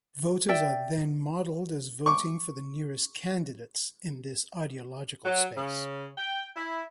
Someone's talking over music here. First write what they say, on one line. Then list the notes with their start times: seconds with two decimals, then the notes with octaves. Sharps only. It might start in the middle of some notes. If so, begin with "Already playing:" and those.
Voters are then modeled as voting for the nearest candidates in this ideological space.
0.49 D5 E5 G5
2.06 C#6 D6
5.25 F#3
5.56 C#3
6.18 G5
6.56 E4